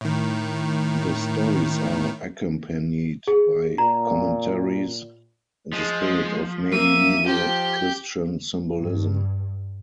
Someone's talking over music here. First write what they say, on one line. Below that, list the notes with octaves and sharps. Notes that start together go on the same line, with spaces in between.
The stories are accompanied by commentaries in the spirit of medieval Christian symbolism.
A2 D#3
G#4
A#2 A#5
F3 G#3
A#3 E5 D#7
F3 G4 G5
G2